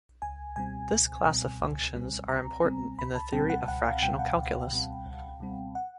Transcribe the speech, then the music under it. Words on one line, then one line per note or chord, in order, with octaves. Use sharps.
This class of functions are important in the theory of the fractional calculus.
C#2 G#5
B2 G3 C4 G#5
C#2 G#5
B2 G3 C4
C#2
B2 G3 C4
C#2 A#5
B2 G3 C4
C#2 B5
A5
B2 G3 C4 G5
F#5
C#2 F#5
F5
B2 G3 C4 G5
F#5
C#2
B2 G3 C4
C#2
B2 G3 C4
F#5